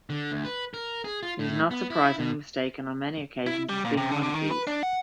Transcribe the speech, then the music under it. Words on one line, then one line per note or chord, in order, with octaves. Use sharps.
It is not surprisingly mistaken on many occasions as being one of these.
D3
D2
B4
A#4
G#4
F4
A2
B3
E4
B2
E4
G3
A#2
C3
D3
D3
D#3
B4
D4
F#5